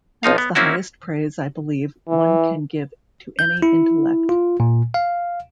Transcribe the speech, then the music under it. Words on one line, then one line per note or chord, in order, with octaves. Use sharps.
That's the highest praise, I believe, one can give to any intellect.
B1 F3 D#4 F5
B3
A#3 C4 C#4 E4 F#4
E3
G6
E4
F4
A#2
F5